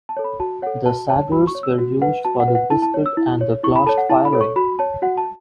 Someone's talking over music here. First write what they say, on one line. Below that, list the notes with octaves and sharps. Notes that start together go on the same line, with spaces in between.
The saggars were used for the biscuit and the glost firing.
A5
A4 C#5
B5
F#4 A5
A4 C#5 F#5
F#4 A5
C#5 A5
F#4 B5
C#6
C#5
E6
F#4
B4 F#5
F#4 A5
F#5
B4
F#5
E4 A5
A5
C#5
E6
E4
C#5
E4 C#6
B5
A4 C#5 A5
F#5
E4 A5
B5
A4 C#5
C#6
F#4 B5
C#5 A5
F#4 F#5
A5